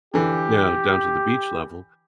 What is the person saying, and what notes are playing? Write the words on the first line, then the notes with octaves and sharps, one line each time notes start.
you know, down to the beach level,
D3 E3 G4